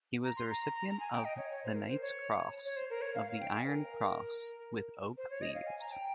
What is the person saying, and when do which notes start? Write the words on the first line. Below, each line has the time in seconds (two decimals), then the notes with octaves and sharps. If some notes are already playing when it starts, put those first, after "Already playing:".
He was a recipient the Knight's Cross of the Iron Cross with Oak Leaves.
0.24 A#5
0.36 C6
0.50 A#5
0.89 A#5
1.00 G#5
1.13 G5
1.25 D#5
1.37 C#5
1.51 C#5
1.64 C5
1.75 A#4
1.88 C5
2.02 C#5
2.65 C#5
2.76 C5
2.90 A#4
3.02 C#5
3.15 F5
3.27 F5
3.40 G5
3.53 G#5
3.65 C5
3.68 A#4
5.18 C5
5.30 C#5
5.42 D#5
5.55 F5
5.67 G#5
5.80 A#5
5.92 G5